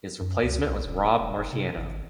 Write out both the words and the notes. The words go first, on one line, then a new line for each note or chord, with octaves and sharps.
His replacement was Rob Marciano.
F#2
C#2
B1
D#1
E1
F#1
C3
G#1